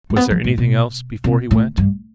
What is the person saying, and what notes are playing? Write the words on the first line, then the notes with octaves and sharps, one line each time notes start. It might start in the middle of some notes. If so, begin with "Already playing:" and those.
Was there anything else before he went?
A3
B3
F3
A2
B2
C3
A2
G2